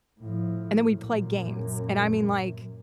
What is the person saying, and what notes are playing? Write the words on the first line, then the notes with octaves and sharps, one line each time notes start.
and then we'd play games, and I mean, like,
A2 F3
F#2 A#2